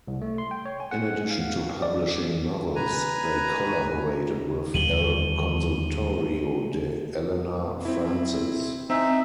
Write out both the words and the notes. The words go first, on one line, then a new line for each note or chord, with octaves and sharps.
In addition to publishing novels, they collaborated with El Consultorio de Elena Francis.
C2
A3
C6
G5
C#5
G#5
F#5
F5
D5
B4 G#5 A#5
D#2 D3 G3 D#7 F#7 G7
C4 E4
C4 D#4 E5 G#5